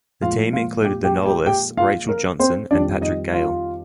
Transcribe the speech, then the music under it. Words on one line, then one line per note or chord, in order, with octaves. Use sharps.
The team included the novelists Rachel Johnson and Patrick Gale.
A#2 F3 G#3 F4 F5
F4 F5
G4 G5
G4 G5
G4 G5
G4 G5
F4 F5
A#4
C4 C5
F2 D#3 G3 D4 D5
D#4 D#5
F4 F5